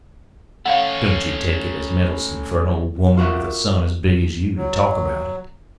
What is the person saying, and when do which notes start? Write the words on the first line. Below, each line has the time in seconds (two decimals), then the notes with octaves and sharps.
Don't you take it as meddlesome fer an old woman with a son as big as you to talk about it.
0.66 A3 C#4 F5 F#5
3.17 F4 F#4 A#4 E5
4.57 F#3